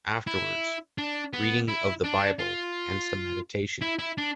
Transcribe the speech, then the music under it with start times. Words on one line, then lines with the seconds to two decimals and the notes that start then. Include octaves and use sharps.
Afterwards, reading of the Bible and some meditation.
0.27 E4
0.98 D4
1.33 B3
1.69 E4
2.05 D4
2.40 F4
3.82 E4
3.99 E4
4.18 D4